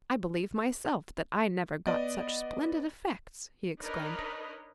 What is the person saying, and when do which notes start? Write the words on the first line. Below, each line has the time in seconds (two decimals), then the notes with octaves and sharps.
"I believe myself that I never got such splendid effects!" he exclaimed.
1.87 B3 D5 D#5
3.80 D4 D#4 A#4 B4 C#5 D#5